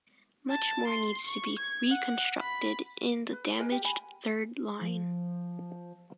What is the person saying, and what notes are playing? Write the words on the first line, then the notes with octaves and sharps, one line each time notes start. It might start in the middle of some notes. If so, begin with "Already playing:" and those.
Much more needs to be reconstructed in the damaged third line.
A5
C6
C#6
G#6
F#5
B5
B4
A#4 B4 D#5 G#5
G4
G#5 B5
F3